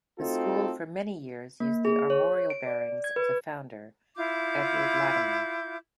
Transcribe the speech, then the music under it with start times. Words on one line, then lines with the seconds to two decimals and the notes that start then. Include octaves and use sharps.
The school for many years used the armorial bearings of the founder, Edward Latymer.
0.19 A3 C4 D#4 F4 F#4 A4
1.60 A#3
1.85 G#4
2.10 C#5
2.50 D7
2.67 D5
3.04 G#6
3.16 B4
4.16 E4 F4 D6 G6